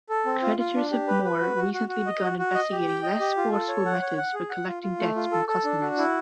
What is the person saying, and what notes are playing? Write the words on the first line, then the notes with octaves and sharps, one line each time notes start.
Creditors have more recently begun investigating less forceful methods for collecting debts from customers.
A4
C4
F4
F4
D4
G4
B4
B4
F#4
F#4
F#4
F#4
D#5
F#4
F#4
D#5
G4
G5
D#5
G4
F4
A4
C#5
F#5
C#5
F#5
G#4
F#5
F4
F4
A3
F4
A4
A4
D4
F#4
E4